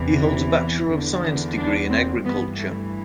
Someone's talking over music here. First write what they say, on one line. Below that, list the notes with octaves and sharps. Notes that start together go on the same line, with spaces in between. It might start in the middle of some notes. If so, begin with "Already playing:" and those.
He holds a Bachelor of Science degree in Agriculture.
Already playing: E2 C3 E3
E2 D3
D4
C4
G2 E3 B3
A3